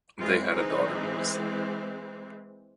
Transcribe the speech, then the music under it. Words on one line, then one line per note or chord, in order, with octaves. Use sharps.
They had a daughter, Melissa.
E3 G#3 C4 F4
D#4